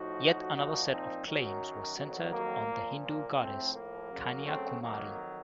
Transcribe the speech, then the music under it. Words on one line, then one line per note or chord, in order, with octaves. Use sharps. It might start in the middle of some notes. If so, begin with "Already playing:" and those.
Yet another set of claims was centered on the Hindu goddess Kanya Kumari.
Already playing: A2 F3 D#4 F#4
A#2 F3 D#4 F#4
C4 D#4
F#2 D#3 F#3
F2 D#3 F#3
A#3
A#2 F3
A#3
A2 F3 A3 C4
A#3
F#2 C#3 F#3
A3 C4
F2 D#3 F#3 A#3